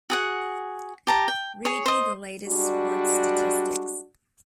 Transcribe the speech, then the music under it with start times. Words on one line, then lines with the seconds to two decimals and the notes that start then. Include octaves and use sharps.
Read me the latest sports statistics.
0.10 F#4 G#4 F#5
1.07 G4 A5 A#5
1.28 G5
1.65 G#4 C#5
1.86 C5 D#5
2.46 G3 G#3 D4 F#4